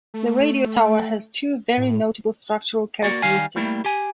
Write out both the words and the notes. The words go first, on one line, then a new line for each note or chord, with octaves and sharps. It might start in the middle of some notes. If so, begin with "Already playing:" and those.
The radio tower has two very notable structural characteristics.
A3
A2
A#3 F#4 D5
D#3 G3 F5 G#5
G3 A3 A#3 E4
G4 G#5